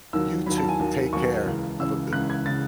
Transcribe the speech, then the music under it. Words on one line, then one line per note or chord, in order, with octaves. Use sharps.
You too, take care, have a good one.
D#2 D#3 F#3 E6
D#2 D#3 F#3 B5
A5
G#5
D#2 D#3 F#3
D#2 D#3 F#3 C#6
C#2 C#3 E3
C#2 C#3 E3 E6
C#2 C#3 E3 F#6
G#6
C#3 E3 A6